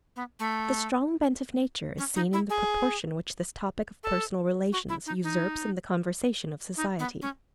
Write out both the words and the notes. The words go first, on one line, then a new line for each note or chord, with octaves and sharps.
The strong bent of nature is seen in the proportion which this topic of personal relations usurps in the conversation of society.
B3
A3
C#4
D#4
E4
G#4
A4
F#4
E4
D#4
D#4
D#4
B3
C#4